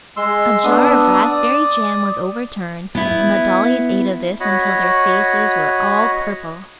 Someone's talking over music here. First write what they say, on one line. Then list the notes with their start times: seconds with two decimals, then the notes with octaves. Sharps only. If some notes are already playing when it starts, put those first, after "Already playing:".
A jar of raspberry jam was overturned and the dollies ate of this until their faces were all purple.
0.17 G#3 C6 E6
0.64 B3 D4 D#6 E6
1.25 D5 D#6
2.95 B3 E4
4.40 F#4 C#5 D#5 B5